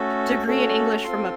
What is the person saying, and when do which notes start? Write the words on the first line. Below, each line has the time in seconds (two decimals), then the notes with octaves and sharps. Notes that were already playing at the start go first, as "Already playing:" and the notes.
degree in English from a p
Already playing: A3 C#4 F#4 A4
0.46 A3 C#4 F#4 A4
1.04 C4 F4 A4 C6